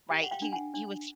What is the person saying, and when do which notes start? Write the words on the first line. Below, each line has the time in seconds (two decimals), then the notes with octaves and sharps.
right? He he was
0.10 G4 F5 G5
0.24 F#5
0.31 F5 G5
0.42 D4
0.52 F#5 G#5
0.74 D4